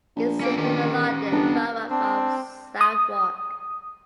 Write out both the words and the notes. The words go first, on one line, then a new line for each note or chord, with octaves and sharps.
It is in the London Borough of Southwark.
A#1
A#3 C#4 G5
D#3 C#4 G4
G1 B3 D4
C4 D4
D#6